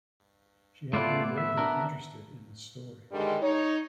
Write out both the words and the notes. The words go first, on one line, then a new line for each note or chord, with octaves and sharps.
She had been greatly interested in the story.
A2 A3 B3 E4 F4 D5
E5
B3 D4 A#4
G2 D3 D#3 G3 G#3
D#4 C#5